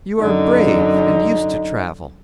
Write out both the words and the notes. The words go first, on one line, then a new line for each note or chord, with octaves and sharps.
You are brave and used to travel.
F#2 D3 D#4